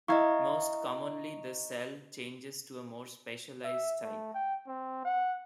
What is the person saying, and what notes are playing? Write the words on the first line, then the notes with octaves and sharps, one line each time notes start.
Most commonly the cell changes to a more specialized type.
E4 D#5 F5 A#5 C#6 G#6
E5
A3
G5
C4
F#5